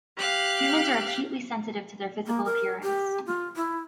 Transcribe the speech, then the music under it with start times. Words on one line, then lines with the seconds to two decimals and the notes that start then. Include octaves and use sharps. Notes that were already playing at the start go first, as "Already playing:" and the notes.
Humans are acutely sensitive to their physical appearance.
0.17 G4 F5 F#6
2.27 A#3
2.45 A#4
2.83 G4
3.26 F4
3.56 E4